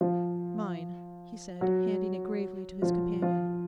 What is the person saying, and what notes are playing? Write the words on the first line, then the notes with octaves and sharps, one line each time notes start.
'Mine,' he said, handing it gravely to his companion.
F3 F4
F#3 F#4
F3 F4
F3 F4